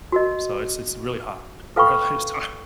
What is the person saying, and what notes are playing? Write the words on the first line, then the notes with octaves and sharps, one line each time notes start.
so, it's it's really hot where I live, so
F#4 A#4 D#5
A4 B4 F5 G5 B5 C#6